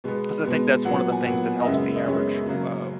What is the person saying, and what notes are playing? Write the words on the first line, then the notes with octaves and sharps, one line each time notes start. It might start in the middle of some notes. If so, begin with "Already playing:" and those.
'Cause I think that's one of the things that helps the average, uh,
B2 G#3 B3
B2 G#3 B3
A#2 F#3 B3 F#5
G#5
A#2 F#3 B3 F#5
D#5
F#2 C#3 G#3 B3 E5
D#5
F#2 C#3 G#3 B3 C#5
C#3 F#3 A#3